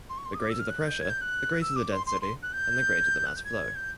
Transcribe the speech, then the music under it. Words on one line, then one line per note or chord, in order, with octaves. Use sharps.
The greater the pressure, the greater the density, and the greater the mass flow.
C6
C#6
C6
D#6
D6
E6
F6
F#6
G6
G#6
G6
F#6
E6
D6
C6
C6
C6
F#6
G6
F#6
G6
G#6
G6